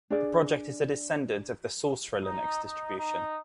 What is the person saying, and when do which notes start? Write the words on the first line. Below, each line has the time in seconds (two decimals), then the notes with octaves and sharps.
The project is a descendant of the Sorcerer Linux distribution.
0.10 D4 G#4 D5
2.24 D#4
2.63 D#4
2.97 D#4